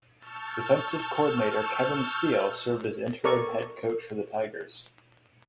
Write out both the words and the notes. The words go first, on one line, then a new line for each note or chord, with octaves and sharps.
Defensive coordinator Kevin Steele served as interim head coach for the Tigers.
A5 C#6 E6 F6 G6 A6
A4 A#4 D5 C#6